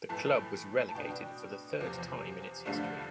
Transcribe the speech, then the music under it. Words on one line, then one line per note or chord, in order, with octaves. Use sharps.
The club was relegated for the third time in its history.
A2 E3 A3 A5
A5
B2 B3 D4 G5
E2 C3 F3
G2 D3 F3 A3 D4 F5